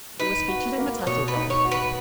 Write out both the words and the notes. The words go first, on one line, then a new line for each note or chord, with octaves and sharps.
He was featured in the title role.
D#4 B4
F#4
A#3
B2 C#5
B4
D#4
C#5
F#4
B4